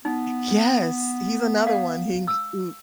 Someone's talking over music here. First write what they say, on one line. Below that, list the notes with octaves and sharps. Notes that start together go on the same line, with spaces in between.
Yes, he's another one, he c ooh,
B3 D#4
F5
E6